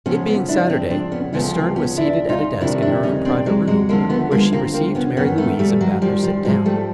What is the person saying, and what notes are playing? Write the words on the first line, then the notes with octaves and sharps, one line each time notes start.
It being Saturday, Miss Stearne was seated at a desk in her own private room, where she received Mary Louise and bade her sit down.
F2 C#3 F3 B3 C#4
B3 C#4
D4 E4
C4 D4
C4 D4
B3 C#4
D2 C#3 F3 A3 B3
A#3 C4
B3 C#4
D4 E4
D#4 F4
F2 C3 D#3 D4 E4
D4 E4
C#4 D#4
C4 D4
F#3 G#3
F#3 G#3
D#2 D3 F3 G#3 A#3
A3 B3
G#3 A#3
A#3 C4
A#3 C4
B3 C#4
F#2 D#3 B3 C#4
A3 B3
G3 A3
F#3
F3 G3
F3 G3
G#2 F3 F#3 G#3
G3 A3